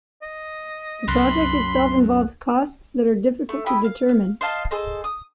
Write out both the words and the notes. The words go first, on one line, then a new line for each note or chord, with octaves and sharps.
The project itself involves costs that are difficult to determine.
D#5
C2 F#2 B5 C6 F#6
A3
E4 G4 B5 D#6
F5
C5 D#5 F5 A5
G#4 A4 C5 D#5
D#6